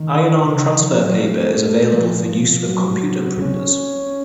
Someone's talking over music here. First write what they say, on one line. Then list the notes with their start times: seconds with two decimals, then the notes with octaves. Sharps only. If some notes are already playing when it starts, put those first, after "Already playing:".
Iron-on transfer paper is available for use with computer printers.
Already playing: D#3
0.45 C#3
0.64 D#3
0.82 F3
1.01 F#3
1.20 A3
1.93 F3
2.68 F#3
3.42 C#4